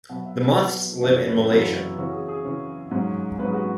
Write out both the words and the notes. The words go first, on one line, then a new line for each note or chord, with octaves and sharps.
The moths live in Malesia.
B2 F#3 B3 F#5
E5
E5
B2 F#3 B3 F#5
F#2 C#3 E3 C#4 E5
C#5
B4
E4
F#2 C#3 E3 C#4 F#4
C#3 E3 C#4 F#4
G#4
G#4
C#3 E3 C#4
G#2 F#3 C#4
G#2 F#3 C#4 B4
G#4
F#4